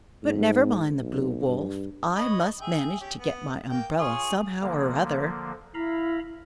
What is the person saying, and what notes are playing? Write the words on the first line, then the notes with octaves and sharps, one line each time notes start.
"But never mind the Blue Wolf; I must manage to get my umbrella, somehow or other."
G#2
B1
G2
B4 C#5 D#5
G#4 E5 G5
C#4 G4
B3
A#3 G5
F4 G#4 C#5
D3 F3 A#3
E4 F5 A#5 B5